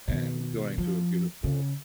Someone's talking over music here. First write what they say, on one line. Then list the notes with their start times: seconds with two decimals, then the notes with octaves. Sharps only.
and going to a beautiful,
0.08 B2 D#3
0.78 F3
1.44 C#3